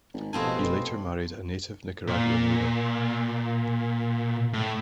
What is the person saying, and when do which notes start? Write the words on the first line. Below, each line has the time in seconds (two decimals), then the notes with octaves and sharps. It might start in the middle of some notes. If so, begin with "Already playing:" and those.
He later married a native Nicaraguan woman.
0.14 G#1
0.33 F1 B2 C4 A4 F5 G#5 A5
2.07 A#2
4.54 A2